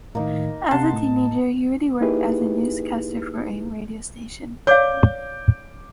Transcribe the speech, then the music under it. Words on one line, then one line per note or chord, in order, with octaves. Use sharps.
As a teenager he already worked as a newscaster for a radio station.
A2 D#3 A#3 D#4
C3 F#5 A5 C6
A2
A#3 D#4 E4 G4 G#4 B4
C#5 D5 F5 D6 G6